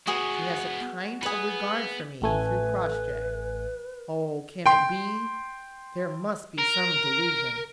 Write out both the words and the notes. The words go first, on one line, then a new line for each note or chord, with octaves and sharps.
She has a kind of regard for me, through Crossjay.--Oh, can it be? There must be some delusion.
G#3 B3 F#4 G#4 B4
B3 G#4 B4
A1 A3 B4 G#5
G5 C6
A#4